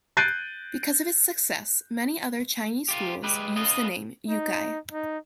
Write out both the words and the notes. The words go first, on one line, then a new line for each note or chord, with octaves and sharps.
Because of its success, many other Chinese schools use the name "Yucai".
F#6 G6 A6 C7 D7 D#7
F4 G4
G#3 G4 B4
B3 C#4 F4 D#5
D#4
D#4